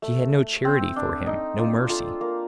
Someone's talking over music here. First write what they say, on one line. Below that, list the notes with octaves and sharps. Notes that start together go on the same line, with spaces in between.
She had no charity for him, no mercy.
A3
C4
D4
D#4
D4 F4
F4 A4
A#3